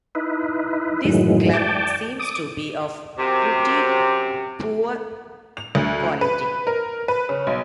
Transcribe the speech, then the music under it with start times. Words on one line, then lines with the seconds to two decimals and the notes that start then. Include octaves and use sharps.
This club seems to be of pretty poor quality.
0.15 D#4 E4 B4
1.05 F#2 A2 D#3 E3 F#3 G#3
1.53 D5 G5 A5
2.19 D6 D#6
3.18 F#2 C3
5.57 F7
5.75 D2
6.21 B4
6.67 A#4
7.08 B4
7.29 C#3
7.47 B1